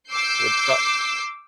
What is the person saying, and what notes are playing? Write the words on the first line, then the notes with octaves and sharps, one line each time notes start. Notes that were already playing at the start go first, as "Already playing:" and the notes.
wi pro
D6 E6 G6 C7